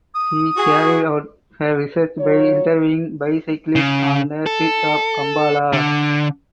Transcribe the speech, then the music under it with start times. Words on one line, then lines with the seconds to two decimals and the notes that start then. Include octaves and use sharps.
She carried out her research by interviewing bicyclists on the streets of Kampala.
0.14 D#6
0.57 F#4 G#4
2.19 F#3 F4 C#5
3.76 C#3
4.46 A4
5.73 D3